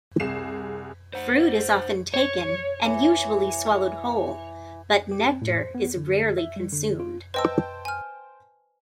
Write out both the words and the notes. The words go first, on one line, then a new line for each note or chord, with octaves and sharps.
Fruit is often taken and usually swallowed whole, but nectar is rarely consumed.
C2 G#4 C7 E7
C5 F#5
C#5
E3
G4
C4
A2
C5
B3
D3
E5
G3
D3
F4
B4 C5 D#5 G5 A5 E6
G#5 F6